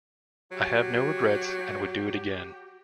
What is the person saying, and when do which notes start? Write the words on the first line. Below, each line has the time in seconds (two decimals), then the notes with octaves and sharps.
I have no regrets and would do it again.
0.51 F#3 F#4 G4